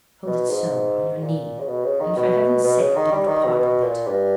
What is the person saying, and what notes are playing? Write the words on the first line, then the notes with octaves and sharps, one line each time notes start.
Hold it so, on your knee; and, for Heaven's sake, don't part with it.'
B2
G#2
A#2
C#3
B2
C#3
D#3
B2
B2
C#3
D#3
G3
D#3
B2
B2
A#2
G2